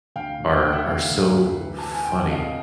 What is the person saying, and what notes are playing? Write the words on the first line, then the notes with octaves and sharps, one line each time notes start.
are are so funny
D2 F5 G5
D2
F#5
D2 G5
E5 F#5
D2 F5 G5
D2
D2
E3
A5
E3
G#5
C2 G5
F#5
C2 D#5 F5